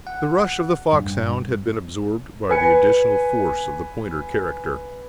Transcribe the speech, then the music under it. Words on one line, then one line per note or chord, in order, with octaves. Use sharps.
The rush of the Foxhound had been absorbed by the additional force of the Pointer character.
F#5
G2
B4 G#5 C#7